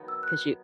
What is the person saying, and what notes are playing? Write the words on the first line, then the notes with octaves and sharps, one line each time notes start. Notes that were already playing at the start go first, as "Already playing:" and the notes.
'Cause you
Already playing: D#3 F#3 B3
E6
F#6